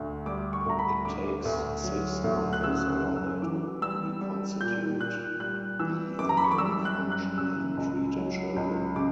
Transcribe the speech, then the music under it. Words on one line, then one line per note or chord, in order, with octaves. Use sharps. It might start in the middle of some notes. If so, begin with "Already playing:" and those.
It takes six months or longer to reconstitute the immune function in treated children.
Already playing: D2 D3
G3 D6
C#6
D2 A#5
B5
D3 D6
D2
F#3
D2
F#6
C#3 E6
F#6
F#2
E6
E3 D6
G3 E6
G3
A#2 G6
A#2 F#6
G3 F#6
E3 E6
F#2 D6
A#5
B5
C#6
D6
G3 E6
F#6
F#2
F#6
C#3 E6
C#2
F#3
C#2
C#3 D6